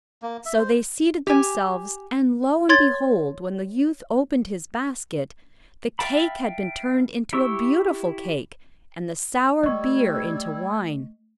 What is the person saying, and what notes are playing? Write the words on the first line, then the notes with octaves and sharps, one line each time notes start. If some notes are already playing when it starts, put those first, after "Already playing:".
So they seated themselves, and, lo and behold, when the youth opened his basket, the cake had been turned into a beautiful cake, and the sour beer into wine.
A#3
E5
C5
G4 G#5
C#5 C6 G#6 A6
E5 F5 G5 A5 B5
E4 G4 C#6 E6
G3 A3 D#5 C#6 E6 G#6